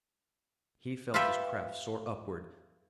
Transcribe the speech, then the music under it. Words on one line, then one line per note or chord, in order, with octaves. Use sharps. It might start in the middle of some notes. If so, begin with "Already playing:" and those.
He felt his craft soar upward.
F4 G4 A4 B4 E5 G5